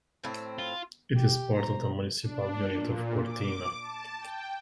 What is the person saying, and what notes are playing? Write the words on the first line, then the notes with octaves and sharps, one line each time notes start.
It is part of the municipal unit of Gortyna.
A2 C4
F4
G4
C5 A#5
D4
A#2
D6
A5
G5